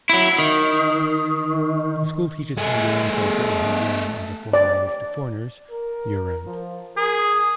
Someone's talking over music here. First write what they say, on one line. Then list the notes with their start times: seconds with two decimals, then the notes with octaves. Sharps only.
The School teaches Hungarian culture and Hungarian as a foreign language to foreigners, year-round.
0.09 F#3 E4
0.38 D#3
2.57 A3 G#4
4.53 D5
5.71 A#4
6.46 F3
6.97 G#4 A#4